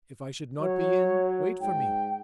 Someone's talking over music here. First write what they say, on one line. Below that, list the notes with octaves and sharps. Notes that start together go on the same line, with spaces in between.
"If I should not be in, wait for me."
F#3 C#5
G#2 G5